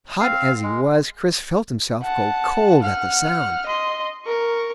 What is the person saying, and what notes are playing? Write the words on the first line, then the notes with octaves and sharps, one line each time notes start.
Hot as he was, Chris felt himself go cold at the sound.
C4 F5
G#3
F#5 A5
F#5 F6
D#5 C6
A#4 C#6